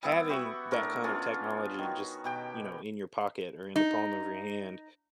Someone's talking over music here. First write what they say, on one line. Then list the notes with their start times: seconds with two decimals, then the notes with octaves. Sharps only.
having that kind of technology just, you know, in your pocket or in the palm of your hand
0.03 G3 B3 E4 E5
0.29 F#4 G4 E5 C#6
0.71 A2 D4 A#4 C#6
1.04 B3 C#4 D4 F4
1.79 D#3 F#4
2.24 B2 G4 G5
3.76 D#4